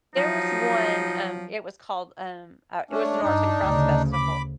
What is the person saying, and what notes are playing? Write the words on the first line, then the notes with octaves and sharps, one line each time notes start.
There was one, um, it was called, um uh, it was an Arts and Crafts festival,
F3 F#3 D#4
A3 C#4 D4
G2 D4 D#4
D2 C#3
B5 D6